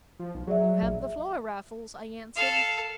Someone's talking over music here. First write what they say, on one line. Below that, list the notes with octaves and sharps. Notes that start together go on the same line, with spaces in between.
"You have the floor, Raffles," I answered.
F3
B1
F#3 G#4 D5 E5
A#1
A4 F5